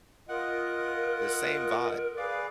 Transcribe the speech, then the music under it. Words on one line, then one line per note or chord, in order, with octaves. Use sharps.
the same vibe."
F4 A#4 D#5 F#5
G#4 B4 D5 F5